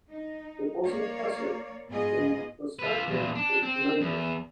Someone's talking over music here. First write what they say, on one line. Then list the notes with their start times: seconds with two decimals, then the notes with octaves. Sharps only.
It was impressive; in perspective it was tremendous.
0.11 D#4
0.85 A#3 C#5 D5 F5
1.88 G#2 B3 F4 G#4 D#5
2.79 F4 B4
3.08 E2 A#2
3.35 D4
3.62 C4
4.01 E2